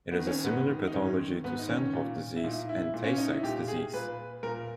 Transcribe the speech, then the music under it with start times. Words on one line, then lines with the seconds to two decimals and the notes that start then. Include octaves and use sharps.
It has a similar pathology to Sandhoff disease and Tay-Sachs disease.
0.11 B3
0.19 D#3
0.27 C#4
0.44 G#2 B3
0.70 D#3
0.87 D#4
0.94 G#2 C#4
1.19 D#3
1.44 G#2 B3
1.59 D#4
1.69 D#3 C#4
1.93 A#2
2.36 E4
2.44 A#2 D#4
2.69 E4
2.94 A#2
3.04 C#4
3.18 D#4
3.31 E4
3.43 A#2 G4
3.68 G#4
3.93 A#2 B4
4.43 A#2 A#4